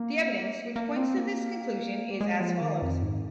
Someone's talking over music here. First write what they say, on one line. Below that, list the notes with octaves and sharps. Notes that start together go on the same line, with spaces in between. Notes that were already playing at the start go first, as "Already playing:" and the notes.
The evidence which points to this conclusion is as follows.
Already playing: A#3
A#3
C4
A#3
G#3
F3
D#3
F2
G#2